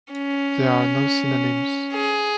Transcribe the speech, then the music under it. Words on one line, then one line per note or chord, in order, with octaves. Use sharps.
There are no synonyms.
C#4
G#4